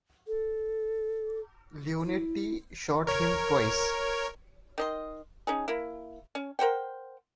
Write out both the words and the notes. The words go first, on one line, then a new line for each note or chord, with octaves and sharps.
Leonetti shot him twice.
A4
E4
A#4 C#5
D#3 D#5 C6
C#4 D#4 G#4
A#3 E4
C#4
A#4 C5 F#5 G5